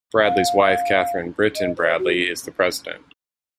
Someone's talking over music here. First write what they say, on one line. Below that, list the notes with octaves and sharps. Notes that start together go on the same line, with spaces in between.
Bradley's wife, Katherine Brittain Bradley, is the president.
F5
D#5
C5
F#4